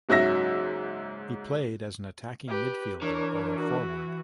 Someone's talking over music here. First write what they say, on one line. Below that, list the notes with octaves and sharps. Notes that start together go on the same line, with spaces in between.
He played as an attacking midfielder or forward.
F#1 G#2 F#3 E5 A#6
G4 B4
E3 D4 A#4 C#5
F#4